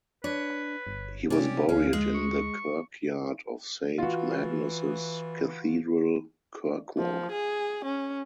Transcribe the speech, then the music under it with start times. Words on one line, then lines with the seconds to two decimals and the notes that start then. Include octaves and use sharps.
He was buried in the kirkyard of Saint Magnus' Cathedral, Kirkwall.
0.24 D4 B4 C#5
0.87 G1
1.30 C3 C#4 G4 D5
1.69 D2 C#4 F5
1.93 G#3
2.15 C#6
3.98 E3 F4 F#4
6.98 F3
7.32 G#4
7.85 C#4